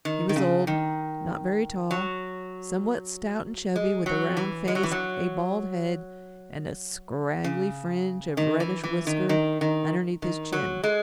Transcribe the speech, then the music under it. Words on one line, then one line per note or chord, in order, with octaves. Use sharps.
He was old, not very tall, somewhat stout and chubby, with a round face, a bald head and a scraggly fringe of reddish whisker underneath his chin.
D#3
D#3
C#3
D#3
F#3
G#3
F#3
E3
G#3
F#3
E3
F#3
C#3
D#3
E3
E3
D#3
D#3
D#3
D#3
F#3
G#3